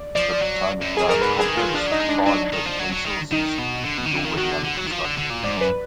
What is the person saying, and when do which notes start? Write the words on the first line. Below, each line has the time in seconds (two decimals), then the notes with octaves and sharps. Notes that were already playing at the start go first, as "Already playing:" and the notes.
The Potomac Yard Complex by Crescent Resources is already under construction.
Already playing: D5
0.15 F3 D5
0.42 F#3
0.82 F#2
0.95 F2 G#4
1.08 F#2 A#4
1.21 G#2 B4
1.34 D3 G#4
1.48 D#3
1.57 F#3 F4
1.69 D#3
1.74 F3 D4
1.87 F#3 D#4
2.00 G#3
2.09 D4
2.27 F#3 D4
2.53 D#3
2.66 F3
2.79 F#3
2.92 F#3
3.06 D#3
3.32 D#3 D#4
3.59 B2
3.85 D3
3.98 B2
4.06 D#3
4.11 D3
4.24 D#3
4.37 D#3 F#4
4.51 D3
4.64 D3
4.77 F#3
4.86 D#3
4.91 F3
5.05 D3
5.17 D3
5.30 A#2
5.43 G#2 D5
5.57 F#2 B4